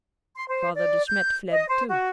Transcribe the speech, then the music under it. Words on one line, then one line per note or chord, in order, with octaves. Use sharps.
Father De Smet fled, too.
C6
C5
D5
G6
D#5
C5
F#4